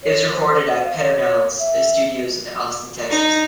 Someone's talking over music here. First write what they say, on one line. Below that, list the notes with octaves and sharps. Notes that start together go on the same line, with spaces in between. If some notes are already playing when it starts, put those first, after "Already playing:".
It was recorded at Pedernales Studios in Austin, Texas.
C#5
C5
C5
F5
C#5
E5
D#4